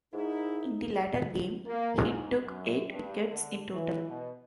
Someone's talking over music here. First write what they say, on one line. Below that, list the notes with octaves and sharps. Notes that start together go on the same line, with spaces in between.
In the latter game, he took eight wickets in total.
G#2 D#4 E4 A#4
A#3
G#2
F#2
G2
D3
E3
B2